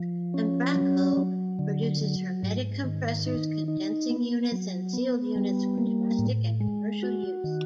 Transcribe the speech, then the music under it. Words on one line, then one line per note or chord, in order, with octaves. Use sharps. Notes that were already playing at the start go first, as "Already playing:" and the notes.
Embraco produces hermetic compressors, condensing units and sealed units, for domestic and commercial use.
Already playing: F3
C#4
F#3
F#3
D3
F#3
G#2
D#3
D#4
D#4
B3
F#3
B3
G3
A#3
A2
G#3
F#4
D#3